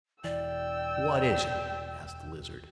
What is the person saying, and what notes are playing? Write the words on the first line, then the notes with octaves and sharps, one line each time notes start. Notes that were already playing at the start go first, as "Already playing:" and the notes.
"What is it?" asked the Lizard.
E1 E3 D5 G5 E6